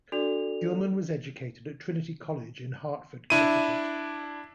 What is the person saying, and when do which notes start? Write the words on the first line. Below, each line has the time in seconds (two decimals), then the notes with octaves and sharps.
Gilman was educated at Trinity College in Hartford, Connecticut.
0.12 D4 F#4 A4 D5 F7
3.30 D4 E4 D#7